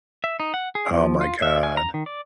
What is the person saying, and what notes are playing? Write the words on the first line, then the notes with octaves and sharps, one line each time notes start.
Oh my god.
E5
D#4
F#5
G#4
F3
F4
E5
G#5
A#5
D#3
D5